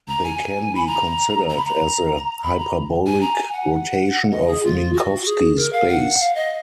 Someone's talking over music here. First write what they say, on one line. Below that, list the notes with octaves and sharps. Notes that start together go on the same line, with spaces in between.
They can be considered as a hyperbolic rotation of Minkowski space.
A#5
G#5
B5
A#5
A#5
B5
A#5
B5
A#5
G#5
A#5
G#5
F#5
D#5
G#4
F4
F#4
G#4
A#4
F5
F#5
F5
D#5